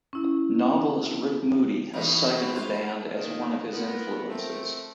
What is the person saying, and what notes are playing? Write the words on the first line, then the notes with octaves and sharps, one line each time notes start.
Novelist Rick Moody has cited the band as one of his influences.
C#4 E4
B2 E3 D#4
B2 C4
F4 C5
D3 D#3 A#3
B3 F4 A#4
A3 C4